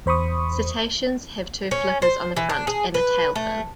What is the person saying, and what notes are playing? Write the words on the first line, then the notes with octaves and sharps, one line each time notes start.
Cetaceans have two flippers on the front, and a tail fin.
E2 C5 B5 C#6 D#6
C#4
C5
E3
D4
G#4
B4
A3